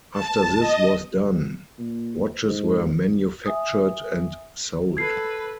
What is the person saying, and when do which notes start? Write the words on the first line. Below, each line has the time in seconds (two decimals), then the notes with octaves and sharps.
After this was done, watches were manufactured and sold.
0.13 A5
0.59 D#5
1.78 A#2
2.43 G#2
3.46 E5 G#5 D#6
4.97 A4 B4 G#6 C7